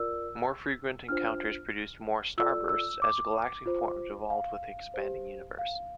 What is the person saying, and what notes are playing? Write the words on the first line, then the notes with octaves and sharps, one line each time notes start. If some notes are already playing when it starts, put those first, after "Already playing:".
More frequent encounters produced more starbursts as galactic forms evolved with the expanding universe.
Already playing: F4 A#4 D5 E6
D4 F4 C5 F6
F4 A4 D5 E6
E6
D6
F4 C5
F5
G4 C5
F5